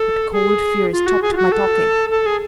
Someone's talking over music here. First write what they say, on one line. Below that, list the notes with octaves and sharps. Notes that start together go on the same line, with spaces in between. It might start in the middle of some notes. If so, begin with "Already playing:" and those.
But cold fear stopped my talking.
Already playing: A4
G#4
F4
F#4
G#4
F4
F#4
A4
A4
G#4